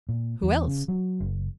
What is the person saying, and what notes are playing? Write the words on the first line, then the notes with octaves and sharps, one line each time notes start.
"Who else?"
A#2
E2
C#3
F#3
F#1